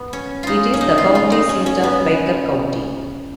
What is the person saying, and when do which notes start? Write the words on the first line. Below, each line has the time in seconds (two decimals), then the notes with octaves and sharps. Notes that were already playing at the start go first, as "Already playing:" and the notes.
It is the county seat of Baker County.
Already playing: B3
0.13 C#4
0.43 D#4 F4
0.74 C#4
0.81 D#4
0.98 F4
1.15 F4
1.32 D#4
1.49 C#4
1.66 C#4
1.83 B3